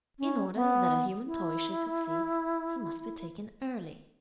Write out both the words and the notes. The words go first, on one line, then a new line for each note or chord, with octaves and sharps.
In order that a human toy should succeed, he must be taken early.
C#4
B3
E4